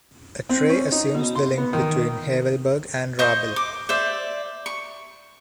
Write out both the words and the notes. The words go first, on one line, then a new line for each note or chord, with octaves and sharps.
A tray assumes the link between Havelberg and Räbel.
C4
C#4
D#4
B2
C6
B3
D#3
C5 D#5 C#6
D6
C5 D5 E5
C#6